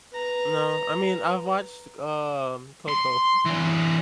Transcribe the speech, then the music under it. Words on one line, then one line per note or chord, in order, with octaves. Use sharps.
no, I mean, I've watched, um, Coco.
B4 A#5
C6
E3 D4